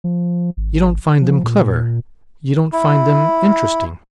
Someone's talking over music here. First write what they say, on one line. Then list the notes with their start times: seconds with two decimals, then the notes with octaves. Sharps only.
"You don't find them clever; you don't find them interesting."
0.04 F3
0.57 G#1
1.21 F3
1.44 A#2
2.73 E4